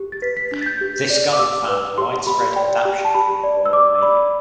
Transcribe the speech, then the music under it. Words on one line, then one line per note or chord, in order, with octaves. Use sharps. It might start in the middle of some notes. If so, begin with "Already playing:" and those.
This gun found widespread adaption in the Royal Navy.
Already playing: G4
A6
B4 B6
B6
D4 B6
A6
G6
G4
D5
D6
G4 E6
B4
G4 C6
G4 B5
D5 G5
G4
A5
G4 B5
D5
E6
D5 D6
D5 B5